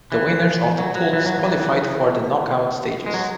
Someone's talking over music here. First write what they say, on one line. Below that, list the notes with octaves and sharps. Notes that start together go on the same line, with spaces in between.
The winners of the pools qualified for the knock-out stages.
E3
F#3
F#3
E3
F#3
E3
G#3
F#3